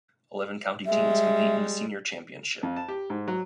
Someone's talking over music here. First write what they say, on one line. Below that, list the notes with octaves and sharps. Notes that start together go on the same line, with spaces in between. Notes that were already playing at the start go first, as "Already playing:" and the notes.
Eleven county teams compete in the Senior Championship.
G3 G#3 E5
F2
A5
G4
G#2
F#3